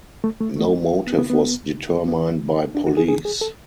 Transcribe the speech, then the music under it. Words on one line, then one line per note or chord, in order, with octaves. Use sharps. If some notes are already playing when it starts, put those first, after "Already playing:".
No motive was determined by police.
A3
A3
A3
B3
B3
B3
B3
D4
F#4
G#4
G#4
G#4
A4